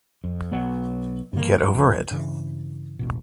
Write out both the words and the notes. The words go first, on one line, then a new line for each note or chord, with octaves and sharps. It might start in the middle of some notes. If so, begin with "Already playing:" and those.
Get over it.
F2
B1 F#3 B3
G2 A#3
F#1 C#2 C3 F3
G2 C#3 E3
E1 A1 B2